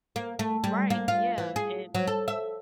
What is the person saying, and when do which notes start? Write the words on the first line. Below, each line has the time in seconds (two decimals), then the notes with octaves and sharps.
right, yeah, and
0.16 A#3
0.39 A3
0.64 G3
0.90 A#3
1.08 F4
1.38 E3
1.56 G#4
1.95 F#3
2.07 A4
2.28 E5